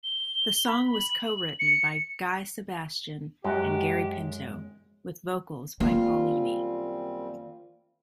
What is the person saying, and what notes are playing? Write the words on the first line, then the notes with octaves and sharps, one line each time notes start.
The song was co-written by Guy Sebastian and Gary Pinto, with vocals by Paulini.
G7
B5
F#7
C#7
F#2 G#3 F#4 G4
F#2 D#3 G3 A#3 C4 F4